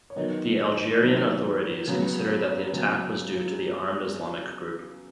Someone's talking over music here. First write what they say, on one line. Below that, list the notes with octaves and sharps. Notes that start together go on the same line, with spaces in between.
The Algerian authorities consider that the attack was due to the Armed Islamic Group.
C#5
D#3 F#3 B3 D#5
D#3 F#3 B3
C#3 F#3 B3
C#3 F#3 B3